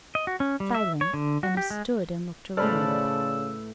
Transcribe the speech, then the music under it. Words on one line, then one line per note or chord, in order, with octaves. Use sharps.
Silent, Anna stood and looked around.
D#5
F#4
C#4
G3
E5
C#5
D3
F#4
G4
G#3
A2 C#3 A4 B4 C5 D5 E6 F6